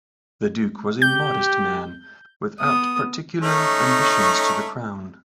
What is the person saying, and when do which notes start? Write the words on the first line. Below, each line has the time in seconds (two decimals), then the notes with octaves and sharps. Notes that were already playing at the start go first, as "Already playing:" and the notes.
The duke was a modest man without particular ambitions to the crown.
1.02 G4 G6
2.61 B3 D#6
3.42 A3 C#4 D#4